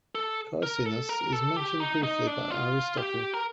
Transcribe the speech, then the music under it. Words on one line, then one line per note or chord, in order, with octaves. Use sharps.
Carcinus is mentioned briefly by Aristotle.
A4
A#4
A4
A#4
A4
G4
D#4
D#4
D4
F4
G4
A#4